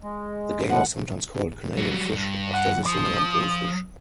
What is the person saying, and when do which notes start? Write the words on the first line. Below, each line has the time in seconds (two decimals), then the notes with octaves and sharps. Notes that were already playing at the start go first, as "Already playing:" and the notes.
The game is sometimes called Canadian Fish, after the similar Go Fish.
0.03 G#3
0.69 D#2 A2 F3 F#5
1.77 F#3 G3
2.10 G2
2.53 F#5
2.86 F3 D#6